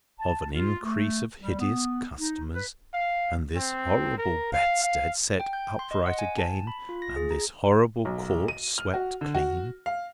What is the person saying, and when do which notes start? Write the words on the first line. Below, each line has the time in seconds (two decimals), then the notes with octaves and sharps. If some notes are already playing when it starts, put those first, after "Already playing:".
Of an increase of hideous customers, and this horrible bedstead set upright again, and this horrible court swept clean?
0.19 A5
0.54 F4
0.83 A3
1.41 G3
1.58 B3
2.18 D#4
2.54 B4
2.94 F5
3.56 C4
4.18 A#4
4.52 F5
4.83 F5
5.40 G5
5.53 G6
5.79 C6
5.91 D#5
6.06 F#5
6.19 G#5
6.38 A5
6.67 B5
6.89 F4
7.02 A#6
7.16 G#4
7.30 A#5
8.05 B1
8.48 D#7
8.78 F6
8.94 F#4
9.21 D3
9.35 F#4
9.86 F5